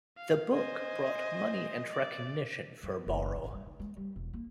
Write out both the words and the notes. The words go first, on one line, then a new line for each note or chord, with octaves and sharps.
The book brought money and recognition for Borrow.
F5
C5 D#5 G#5
D5
F#2
F#1
A1
G2
D#3
G#3
G3
E1
A#3